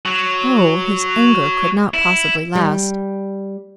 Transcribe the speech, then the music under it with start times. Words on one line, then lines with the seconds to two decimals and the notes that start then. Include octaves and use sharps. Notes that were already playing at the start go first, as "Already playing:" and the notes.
Oh! his anger could not possibly last.
0.06 F#3
1.94 E4
2.55 G3